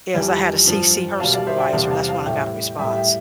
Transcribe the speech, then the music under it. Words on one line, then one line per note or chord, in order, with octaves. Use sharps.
is I had to CC her supervisor. That's when I got a response.
F2 E3 G3
G2 F3
B2 G3 F5 A5
D5 F5
C5 E5
E5 G5
E2 C3 G3 F5 A5
F5 A5
F5 A5
A2 G3 E5 G5
A2 G3 E5 G5
E5 G5